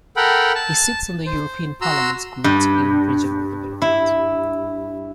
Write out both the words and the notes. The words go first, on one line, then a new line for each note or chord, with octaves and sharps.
He sits on the European Parliament's Committee on Regional Development.
A4 A#4 F#5 G5 B5
A5
C5
F#4 A#5 C6 E6
G2
E4